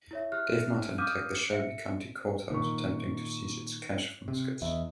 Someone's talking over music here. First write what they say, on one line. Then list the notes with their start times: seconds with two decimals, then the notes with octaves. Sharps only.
Dave Martin attacked the Shelby County Courthouse, attempting to seize its cache of muskets.
0.11 E4 C#5 E5
0.32 G4 E5 F6 F#6
0.98 F5 D6 D#6 F6 G6 D#7
1.52 E5 C#7
2.50 A#2 D#3 A#4 C#6
4.28 C3
4.62 E2 D#5 E5